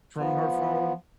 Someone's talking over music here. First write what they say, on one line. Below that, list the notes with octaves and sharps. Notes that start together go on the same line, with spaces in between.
from her phone,
F3 B3